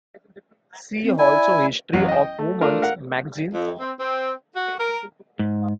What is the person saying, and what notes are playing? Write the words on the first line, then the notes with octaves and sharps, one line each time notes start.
See also history of women's magazines.
C4
E4 D5 G#5
A1 F#3
D#5 G5
A3
A3 D4 F4 A#4
A#4 F5 F#5
F2
C4
C4
F#4
A#4
G#2